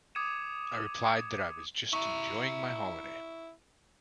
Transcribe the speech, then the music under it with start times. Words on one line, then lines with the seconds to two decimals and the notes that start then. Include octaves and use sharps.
I replied that I was just enjoying my holiday.
0.15 D6 D#6 G#6 C#7 D#7 E7
1.93 E4 E5 A#5 C#6